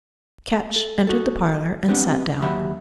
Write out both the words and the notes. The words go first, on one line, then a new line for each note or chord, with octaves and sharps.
Ketch entered the parlour, and sat down.
A4
F#4 A4
B3 C4 D4 G4 F#5
D#2 F#3 G4 E5 F#5 B5